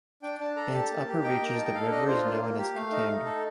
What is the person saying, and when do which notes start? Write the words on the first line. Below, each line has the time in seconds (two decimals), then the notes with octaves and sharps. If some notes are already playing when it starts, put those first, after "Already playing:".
In its upper reaches the river is known as Katanga.
0.22 D4 G5
0.39 D4 A5
0.56 A4 A#5
0.74 G4 A5
0.90 A#3
1.07 G4
1.24 D#4 G5
1.40 A#3 A#5
1.55 D#4 A5
1.65 G5
1.74 A4 F5
1.91 D4 D#5
2.08 F4 C5
2.24 A#3
2.42 A#3
2.59 G4
2.75 A3 F5
2.92 D#4
3.09 D#4
3.25 A4